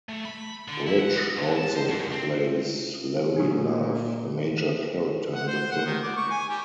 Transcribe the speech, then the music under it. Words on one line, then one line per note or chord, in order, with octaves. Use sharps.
Rich also plays Larry Love, a major character in the film.
A3
B5
D3
E4
F#5
G#2
A5
C5
F#2
C4
A#2 F#3 G#4
F#5
C5
F#5
D#3
D5
C#6
G#5
G3